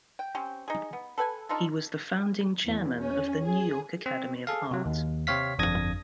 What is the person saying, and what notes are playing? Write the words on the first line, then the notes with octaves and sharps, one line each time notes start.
He was the founding chairman of the New York Academy of Art.
G5
C4 C#4 G4
D#4 G#4
B3
A4 B4 G5 G#5
D4 D#4 F4 A4
E2
C#4
G#4
C4
G#4 A4 F5
C3 F#3
D#2
C3 C4 C#5 F5 B6
G1 F2 D4 D#6 G#6 A#6